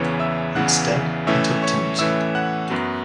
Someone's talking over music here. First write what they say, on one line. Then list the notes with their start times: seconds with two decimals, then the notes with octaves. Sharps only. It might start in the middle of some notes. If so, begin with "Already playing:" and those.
Instead, he took to music.
Already playing: E2 C#3 E3 B3 C#5 C#6
0.19 E5 E6
0.55 E2 C#3 E3 B3 F#5 F#6
1.27 A2 E3 A3 C#4 E5 E6
1.62 C#5 C#6
1.99 A2 E3 A3 C#4 E5 E6
2.35 F#5 F#6
2.70 F#2 F#3 B3